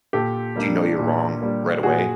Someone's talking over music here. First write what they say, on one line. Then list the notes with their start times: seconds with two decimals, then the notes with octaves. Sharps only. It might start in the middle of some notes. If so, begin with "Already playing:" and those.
do you know you're wrong right away?
0.13 A#2 G4 A4
0.56 G3 A#3 D4
0.99 A#2
1.41 G3 A#3 D4
1.83 A#2 F#4 G#4